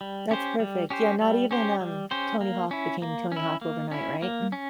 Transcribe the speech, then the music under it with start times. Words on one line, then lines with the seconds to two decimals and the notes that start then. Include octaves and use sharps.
That's perfect, yeah, not even, um, Tony Hawk became Tony Hawk overnight, right? Mm.
0.01 G3
0.31 C#4 G4 C5
0.60 G3
0.90 C#4 G4 C5
1.21 G3
1.51 C#4 G4 C5
1.81 G3
2.11 C#4 G4 C5
2.41 A#3
2.71 C#4 E4
3.02 A#3
3.32 C#4 E4
3.61 A#3
3.92 C#4 E4
4.22 A#3
4.52 C#4